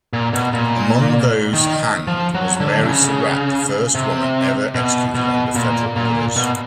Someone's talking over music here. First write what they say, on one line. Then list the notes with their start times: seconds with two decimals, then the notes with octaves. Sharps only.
Among those hanged was Mary Surratt, the first woman ever executed under federal orders.
0.13 A#2
0.33 B2
0.53 A#2
1.53 D#3
2.07 F3
2.35 F#3
2.60 D3
2.83 C3
2.87 C#3
3.95 C3
4.75 B2
5.15 B2
5.55 A#2
5.96 A#2
6.36 B2